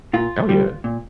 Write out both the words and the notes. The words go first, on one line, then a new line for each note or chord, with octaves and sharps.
Oh, yeah.
A#2 F4
G3
A#2